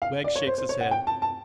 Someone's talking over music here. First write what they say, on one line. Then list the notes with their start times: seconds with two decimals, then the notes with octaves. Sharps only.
Wegg shakes his head.
0.02 F5
0.24 D5
0.36 C#5
0.47 C5
0.58 C5
0.69 C#5
0.81 F#5
0.91 G5
1.07 A5
1.22 A5